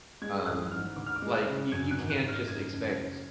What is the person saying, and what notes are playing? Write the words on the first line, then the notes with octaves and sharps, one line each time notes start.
Um, like, you you can't just expect,
G#3 G#6
A1 F#6
G#2 F6
D2 D6
F6
D6
G#3
F#6
C#3
F#2 G#6
F#6
G#1
F#6
G#1
F6
F#1 G#6
F#1
G#6
F#1